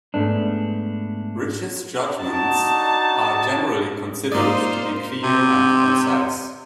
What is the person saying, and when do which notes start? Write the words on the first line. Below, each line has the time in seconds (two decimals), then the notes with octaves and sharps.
Rich's judgments are generally considered to be clear and concise.
0.14 G#2 A3 B3 D4
2.23 D4 D#4 F#4 A5
4.32 G#2 A#3 D#4 F4 C5 D5 D#6
5.23 C3